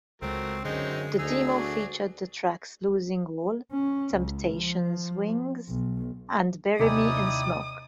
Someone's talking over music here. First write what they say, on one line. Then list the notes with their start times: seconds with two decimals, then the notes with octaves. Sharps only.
The demo featured the tracks "Losing All", "Temptations Wings" and "Bury Me in Smoke".
0.22 C#2 F#3 G#3 A3 C4 A#4
0.65 F#2 D3 G#3 C4 C#4 D#4
1.18 D2 D#4 G#4 E6
1.48 F#3 D5
3.72 C#4
4.15 C#2
4.56 F3
5.69 B1
6.79 D#2 C3 D#4 E4 D5 G#5 D#6